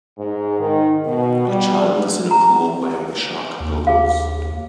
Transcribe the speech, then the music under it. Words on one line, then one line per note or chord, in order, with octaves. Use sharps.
A child is in a pool wearing shark goggles.
G#2
D#3
B2
G3
A#5
D#2
G#4 F5